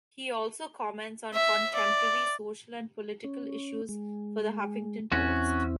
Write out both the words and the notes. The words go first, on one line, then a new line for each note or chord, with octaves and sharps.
He also comments on contemporary social and political issues for the "Huffington Post".
E5
D5
C#4
G#3
E2 C4 C#4 E4 F#4